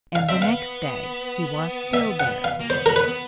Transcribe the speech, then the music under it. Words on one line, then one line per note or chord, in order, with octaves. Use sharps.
And the next day he was still there.
F5
C4 E5
B3 F5
E5
F#5
F5
A#3
B3 C5
A#4
B4
B3